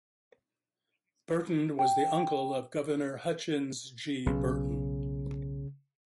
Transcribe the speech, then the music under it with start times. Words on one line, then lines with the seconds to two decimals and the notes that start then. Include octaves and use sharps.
Burton was the uncle of Governor Hutchins G. Burton.
1.79 G5
4.26 B1 C#3